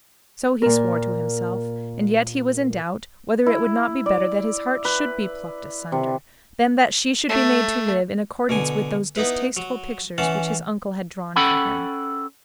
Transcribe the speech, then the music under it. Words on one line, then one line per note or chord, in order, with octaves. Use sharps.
So he swore to himself;--and yet he was in doubt whether it would not be better that his heart should be plucked asunder, than that she should be made to live in accordance with those distasteful pictures which his uncle had drawn for him.
A#2 A#4
E4
D5
B4
C3
A3
B2 D3 G#5
B3 D#4 E4 B4
F#3
E3 C#4 F#5 A5
C#4 A4 F#5 G5 B5